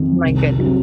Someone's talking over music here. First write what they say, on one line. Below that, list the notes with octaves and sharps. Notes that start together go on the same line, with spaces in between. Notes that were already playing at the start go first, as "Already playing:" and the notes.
My goodness.
Already playing: F2 D#3 F#3
C2
C3 F#3